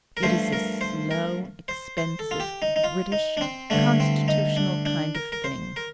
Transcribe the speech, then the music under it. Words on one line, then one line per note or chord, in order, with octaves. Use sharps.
It is a slow, expensive, British, constitutional kind of thing.
A#4
G2 F3 A3 C5
A#4
C5
A#4
C5
C5
A4
F4
G4
D#4
D#4
F4
D#4
D4
C4
G2 D3 A3 D4
C4
D#4
D4
D4
A#4
A#4
C5
A#4